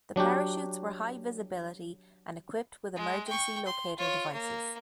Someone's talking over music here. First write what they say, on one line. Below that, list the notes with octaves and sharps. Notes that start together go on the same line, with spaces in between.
The parachutes were high-visibility and equipped with emergency locater devices.
F#3 D4 F#4 G4
G#3
G5 C#6
C6
F4 C#5
A#3